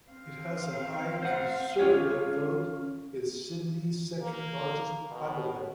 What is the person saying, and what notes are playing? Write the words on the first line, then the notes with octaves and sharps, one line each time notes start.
It has a high conservative vote and is Sydney's second largest bible belt.
C4 F5
C5 F#5
C#4 F4 C#5
A#3
B2